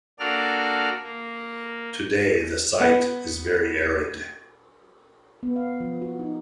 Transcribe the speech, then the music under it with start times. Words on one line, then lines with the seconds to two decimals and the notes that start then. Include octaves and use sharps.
Today the site is very arid.
0.19 A#3 D4 F#4 A4 D5 F6
1.03 A#3
2.80 B3 F#5
5.43 B3
5.56 F5
5.80 F3
6.02 F#4
6.19 D#4